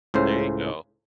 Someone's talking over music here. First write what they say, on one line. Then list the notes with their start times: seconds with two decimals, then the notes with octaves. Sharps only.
There you go.
0.14 C#2 A2 C#3 C5